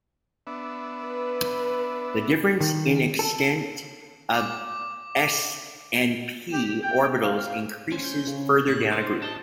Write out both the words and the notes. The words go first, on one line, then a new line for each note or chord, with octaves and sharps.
The difference in extent of s and p orbitals increases further down a group.
B3 D4 E5
B4
D#3
A4
D6
G4
G5
F5
C#4 C5
G6
C#3
A2 F#6
D#4 C5
D4 D#5 A5